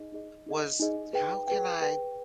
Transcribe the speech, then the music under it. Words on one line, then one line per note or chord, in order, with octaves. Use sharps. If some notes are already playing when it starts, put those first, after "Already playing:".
was, "How can I
Already playing: D#4 G#4 D#5
D#4 G#4 D#5
D#4 G#4 D#5
D#4 G#4 D#5
G#4 B4 G5
G#4 B4 G5
G#4 B4 G5